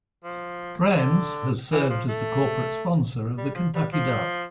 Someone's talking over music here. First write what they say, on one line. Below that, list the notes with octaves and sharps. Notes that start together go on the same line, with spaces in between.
Brands has served as the corporate sponsor of the Kentucky Derby.
F3
D3
E3
F3
A3
G3
F3
G3
F3